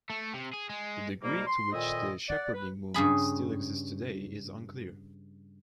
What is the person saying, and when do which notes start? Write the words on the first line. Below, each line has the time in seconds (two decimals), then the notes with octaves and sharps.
The degree to which the Shepherding Movement still exists today is unclear.
0.10 A3
0.34 C3
0.54 G#4
0.70 G#3
1.23 G#2 B2 G3 A#3
1.47 C6
1.73 F2 A#2 D#3 E4 D#5
2.29 D5 F#5
2.54 B4
2.94 G2 C#3 G#4 B5